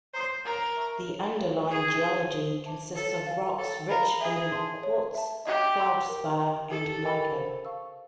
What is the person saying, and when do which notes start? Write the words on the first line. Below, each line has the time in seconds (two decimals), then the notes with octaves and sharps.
The underlying geology consists of rocks rich in quartz, feldspar, and mica.
0.14 C5 A#5 D#6
0.45 A#4 C#5
0.77 E5 A5 C#6 E6
1.07 C#5
1.39 E5 G#5
1.71 G#4 E5
2.01 A5 C6 E6 G6
2.33 C5
2.64 E5 A5 D6
2.95 A4 C#5
3.27 F5 G#5
3.58 A4 C#5
3.89 A#4 F5 G#5 B5
4.21 G#4 E5
4.52 A5 C6
4.83 C#5
5.15 E5 A5
5.46 G4 D#5
5.77 G5 C6 E6
6.09 A#4
6.40 D#5 G5 A#5
6.71 G4 A4
7.03 A#4 D#5 G5 B5
7.33 C5
7.65 F5 A5 C#6 E6